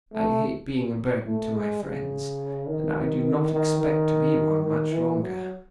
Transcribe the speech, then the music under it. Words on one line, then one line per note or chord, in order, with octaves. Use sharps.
I hate being a burden to my friends, and I do not expect to be one much longer.
A3
A3
G#3
C#3
D#3
D#3
D#3
D#3
E3
F#3